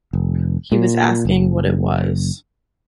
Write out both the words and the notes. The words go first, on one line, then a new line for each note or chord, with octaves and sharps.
He was asking what it was.
F1
A#2
F#1